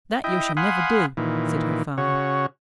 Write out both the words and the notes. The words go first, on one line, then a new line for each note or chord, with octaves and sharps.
"That you shall never do!" said her father.
E4 D#5 G5
F5 F#5 G#5 B5 C6 D#6
A#2 D#3 E3
C#3 F#4 C#5